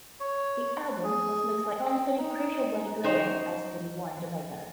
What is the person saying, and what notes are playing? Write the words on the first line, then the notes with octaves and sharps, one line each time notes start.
The album was mixed by Anthony "Crucial Bunny" Graham at Studio One, Jamaica.
C#5
G#4
C4
D#4
F#2 D#4 C5